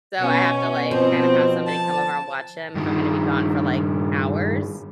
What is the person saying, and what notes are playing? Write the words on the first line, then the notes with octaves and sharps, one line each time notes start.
so I have to, like, kind of, have somebody come over and watch him if I'm gonna be gone for, like, hours,
B2 C#4
F3 C4
A5
G2 D#3